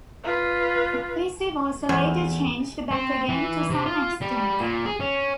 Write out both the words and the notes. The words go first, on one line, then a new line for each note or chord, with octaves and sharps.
The policy was later changed back again to some extent.
F4 B4
E2
C4
E3
C3
F4
G3
A#2
G#4
C#4